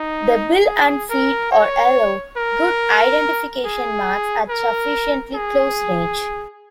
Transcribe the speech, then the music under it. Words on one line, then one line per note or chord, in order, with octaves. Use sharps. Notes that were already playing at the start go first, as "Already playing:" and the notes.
The bill and feet are yellow, good identification marks at sufficiently close range.
Already playing: D#4
G#4
A#4
C#5
A#4
G#4
A#4
G#4